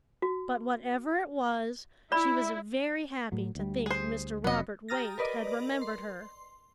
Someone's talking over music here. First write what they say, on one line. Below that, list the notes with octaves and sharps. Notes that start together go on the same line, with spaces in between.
But whatever it was she was very happy to think Mr. Robert Waite had remembered her.
F#4
E4 D5 B5
A2 F#3
D2 G3
G#4 C5
F1 C3 F#3 B3 D#5
G4 A#5 D#6 F6 A6 A#6
A#4 B4 D5 D#5
C6